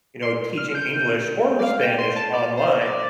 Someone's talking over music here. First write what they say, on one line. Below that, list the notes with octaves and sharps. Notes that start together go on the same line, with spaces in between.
you know, teaching English or Spanish online.
C6
F6
G6
D5
F5
G5
C6
A5
D5
C5
D5